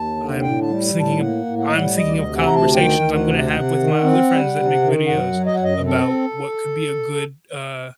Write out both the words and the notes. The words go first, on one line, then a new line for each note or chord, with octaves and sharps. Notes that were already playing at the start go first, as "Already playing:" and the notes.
I'm sinking of I'm thinking of conversations I'm gonna have with my other friends that make videos about what could be a good, uh,
Already playing: D#2 A5
D3
A2 G5
A5
G3
A2
A5
A#3 F#5
A2
F#5
G3 D#5
F#5
D2 D#5
D5
D#5
C3
F#5
D2 A#5
A5
D#3 G5
D2
F#5
C3
C3
D#3
C4
G3
C3
D#3
F#2 F#5
F#3
D#5
F#5
F#2 D#5
C4 A4